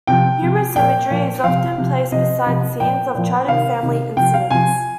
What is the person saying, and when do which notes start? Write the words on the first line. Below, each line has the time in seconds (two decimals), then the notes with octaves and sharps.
Humorous imagery is often placed beside scenes of tragic family incidents.
0.07 C3 F3 G5
0.42 C3 F3
0.76 A#2 F3 G5
1.10 A#2 F3
1.44 C3 F3 F5
1.78 C3 F3
2.12 C3 F3 D#5
2.47 C3 F3
2.80 A#2 F3 G5
3.15 A#2 F3
3.48 C3 D#3 F5
3.83 C3 D#3
4.17 C3 F3 G5
4.34 F5
4.51 C3 F3 G#5